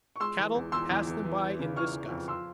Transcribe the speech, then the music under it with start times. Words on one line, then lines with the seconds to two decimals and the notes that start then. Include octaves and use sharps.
Cattle pass them by in disgust.
0.16 C#6
0.20 G#3 C6 E6
0.38 E3
0.55 E2
0.72 E2 C6 E6
0.89 E2
1.07 E2
1.24 E3
1.42 E3
1.59 C#3
1.76 E3 C#6 F6
1.93 E3
2.11 F2
2.28 F3 C6 E6